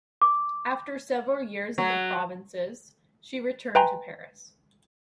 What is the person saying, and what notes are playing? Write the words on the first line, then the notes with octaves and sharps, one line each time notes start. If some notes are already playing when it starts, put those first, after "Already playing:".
After several years in the provinces she returned to Paris.
D6
F#3
B4 E5 G5 G#5 A#5 C6